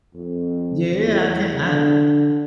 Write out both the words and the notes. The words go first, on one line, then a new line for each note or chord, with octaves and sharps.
Yeah, I can't I
F2
E2
D3